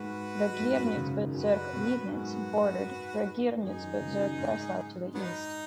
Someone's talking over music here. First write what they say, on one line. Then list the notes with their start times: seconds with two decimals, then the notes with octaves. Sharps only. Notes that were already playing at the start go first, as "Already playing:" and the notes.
Regierungsbezirk Liegnitz bordered Regierungsbezirk Breslau to the east.
Already playing: G#2 G#3 F#4 B4
0.52 F#3
0.59 G#2 G#3
0.77 F#2 F#3
0.96 C#3
1.16 D#3
1.35 F#2 F#3 F#4 B4
1.73 B2 B3
2.10 G#2 G#3 F#4 B4
3.62 F#2 F#3 D#4 G#4
3.81 D#3
4.00 C#3
4.19 D#3
4.38 G#2 G#3
5.14 F#3 B3 D#4